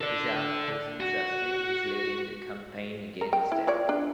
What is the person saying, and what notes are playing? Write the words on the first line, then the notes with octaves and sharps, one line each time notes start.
Isaac was entrusted with leading the campaign against them.
A4 D5
F#4
A#4
G5
E4
F4 C#5 D5
D4